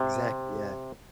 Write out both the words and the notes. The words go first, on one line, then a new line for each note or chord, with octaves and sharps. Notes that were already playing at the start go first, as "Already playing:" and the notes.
Exactly, yeah.
Already playing: C3